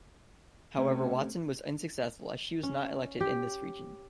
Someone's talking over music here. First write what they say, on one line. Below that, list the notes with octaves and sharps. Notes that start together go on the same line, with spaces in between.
However, Watson was unsuccessful as she was not elected in this region.
C3 A3 C4 C#4
C#4
G4